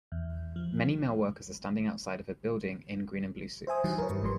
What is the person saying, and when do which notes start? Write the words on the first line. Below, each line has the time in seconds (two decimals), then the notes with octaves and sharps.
Many male workers are standing outside of a building in green and blue suits.
0.12 E2
0.56 F3
3.67 C5 E5 G#5 D#6
3.84 D#3 E3 F#3 G3
3.98 A#4 B4 C#5
4.10 G2 G3
4.22 G1 G#2 F3 G3 C6